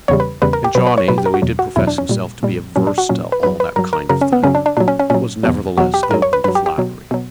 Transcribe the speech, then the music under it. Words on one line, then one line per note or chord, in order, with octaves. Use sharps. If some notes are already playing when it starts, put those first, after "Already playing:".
And Johnny, though he did profess himself to be averse to "all that kind of thing," was nevertheless open to flattery.
E2 C#3 G3 C#5
B4
E2 C#3 G3 B4
A#4
G4
B2 F#3 B4
B4
C#5
B2 F#3 B4
G4
A#4
F#4
E2 B2 F#3
F#4
E2 B2 F#3 E4
D4
C#4
A#2 G3
A#2 G3
A#2 F#3 C#4
D4
F#4
A#2 F#3 C#4
B4
G2 F#3 B4
B4
G2 F#3 A#4
A#4
F#2 C#3 F#3 A#4
C#4
B3
F#2 C#3 F#3 C#4
D4
D4
A#2 F#3 D4
C#4
C#4
A#2 F#3 C#4
E2 B2 F#3
E2 B2 F#3 F#4
G4
B4
G2 F#3 A#4
C#5
B4
G2 F#3 B4
G4
G4
B2 F#3
B2 F#3